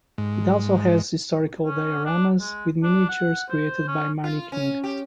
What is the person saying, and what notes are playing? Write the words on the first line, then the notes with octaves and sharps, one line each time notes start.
It also has historical dioramas with miniatures created by Marnie King.
G#2
C#4
D4
G#3
D4
F#5
C5
C#4
F4
C#4
G4